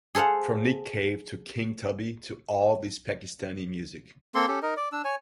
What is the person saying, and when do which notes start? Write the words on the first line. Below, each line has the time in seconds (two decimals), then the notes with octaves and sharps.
From Nick Cave to King Tubby to all this Pakistani music.
0.15 G#4 A4 C5 F5 F#5
4.35 A#3 C4 A4 C6
4.48 C#4 G4 A4
4.62 D#4 A#4 D#5
4.77 D5
4.92 D4 E6
5.04 C#5 G#5